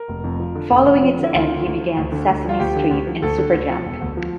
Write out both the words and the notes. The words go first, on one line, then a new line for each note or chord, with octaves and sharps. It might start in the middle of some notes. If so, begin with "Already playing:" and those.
Following its end, he began "Sesame Street" in "Super Jump".
Already playing: A#4
F1
F2
F3
D3
F1
F2
F3
D3
E4
D2 F4
D3
D2
F3
D2
D3
D2
F3 F4
D2 G4
D3
D2
F3
D2 A4
D3
D2
F3
E1
D2
F3